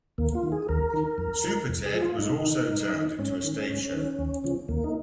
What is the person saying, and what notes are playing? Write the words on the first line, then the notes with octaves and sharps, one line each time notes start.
Superted was also turned into a stage show.
D#2 A#3
F4
D#3
G#4
D#2 A#4
D#3
F2
F3
F2
G#4
F3
F4
G#2 D#4
D#3
G#2
D#3
G#2 C#4
D#3
G#2
D#3
D#2
C#3 F3
D#2 A#3
D#4